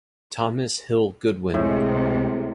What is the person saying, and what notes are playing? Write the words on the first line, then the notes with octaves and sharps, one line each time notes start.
Thomas Hill Goodwin.
C#2 A2 C3 G#3